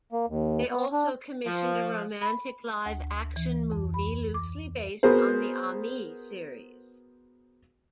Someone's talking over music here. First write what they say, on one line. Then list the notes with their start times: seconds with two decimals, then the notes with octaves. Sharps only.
They also commissioned a romantic live action movie loosely based on the "Ami" series.
0.12 A#3
0.27 D#2
0.71 B3
0.92 D4
1.46 F3
2.22 B5
2.86 D2
3.36 E3
3.72 F2
3.94 B5
4.34 D6
5.03 B3 F#4 G#4 A#4 C5